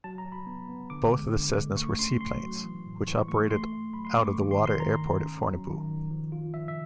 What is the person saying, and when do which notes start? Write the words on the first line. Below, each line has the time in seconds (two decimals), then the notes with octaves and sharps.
Both the Cessnas were seaplanes, which operated out of the water airport at Fornebu.
0.04 F#3 A5
0.18 A#5
0.26 F#3
0.32 B5
0.47 B3
0.69 B3
0.90 D3 D6
1.11 G#3
1.34 D3
1.56 G#3
1.77 A3 C#6
1.99 C#4 C6
2.20 F#3 C6
2.42 F#3
2.63 E3
2.85 A2
3.07 E3 C#6
3.28 A3 C#6
3.50 A3 C6
3.72 A3
3.93 F#3 B5
4.05 C6
4.15 A3 D6
4.26 C#6
4.37 D#3
4.51 C6
4.59 D#3
4.66 C6
4.80 D#3 A#5
5.02 D#3
5.24 C#4
5.46 F#3
5.67 D#3
5.89 D#3
6.10 F3
6.32 F4
6.54 F3 E5
6.68 E5